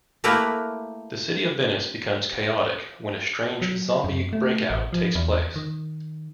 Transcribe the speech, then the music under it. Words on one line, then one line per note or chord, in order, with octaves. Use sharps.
The city of Venice becomes chaotic when a strange zombie breakout takes place.
A3 A#3 E4 G4 A#4 B4
F#3
F#2
A3
A1
F3
E2
D#3